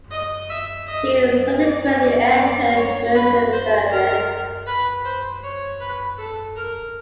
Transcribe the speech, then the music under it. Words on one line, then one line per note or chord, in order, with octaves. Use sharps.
She subsequently entered merchant service.
D#5
E5
D#5
D5
D5
D5
C#5
B4
C5
A#4
B4
C5
C#5
B4
A4
A#4